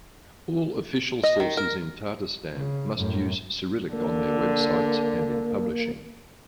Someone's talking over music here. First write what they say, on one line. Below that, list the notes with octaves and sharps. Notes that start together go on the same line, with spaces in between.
All official sources in Tatarstan must use Cyrillic on their websites and in publishing.
D#5
D#3
A#4
C#3
F#2 A2
D3 A#3